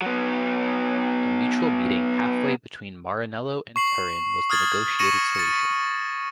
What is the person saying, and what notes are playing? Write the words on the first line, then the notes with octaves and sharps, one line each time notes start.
A mutual meeting halfway between Maranello and Turin was the negotiated solution.
F#3 B3
C#6 C7 F#7
D#6 F6 G#6 A6 F#7
C#6 A#6 C#7 D#7 E7 F#7
A6 C#7